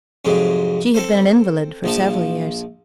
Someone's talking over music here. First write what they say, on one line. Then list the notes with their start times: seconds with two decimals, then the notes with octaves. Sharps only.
She had been an invalid for several years.
0.25 F2 G#2 C3 F#3
0.94 C4 A4 C5
1.84 A#1 F3 A5